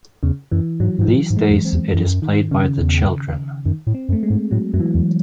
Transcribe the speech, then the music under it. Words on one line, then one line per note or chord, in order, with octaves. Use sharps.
These days it is played by the children.
E2 C#3
F#2 E3
G#2 F#3
G#2 E3
A2 F#3
G#2
G#3
F#2
C4
E2
F#2 E3
D#3
C#3
E2
F#2 D#3
A2
C4
F#2
A3
G#3
G#2
A2 F#3
F#2 F#3
E3
E2